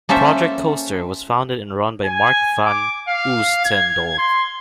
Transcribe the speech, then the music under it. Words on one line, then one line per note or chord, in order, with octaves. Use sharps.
Project Coster was founded and run by Marc van Oostendorp.
A#3 C#4 A4 C5 E5
G#5
D6
F5
G#6
C6